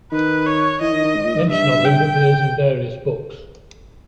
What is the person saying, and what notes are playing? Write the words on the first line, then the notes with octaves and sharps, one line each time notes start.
Mention of him appears in various books.
D#3 B4
C#5
E3 D#5
D#3
D#3
G#2
A#2
G#2
G#2
G2 E5
G5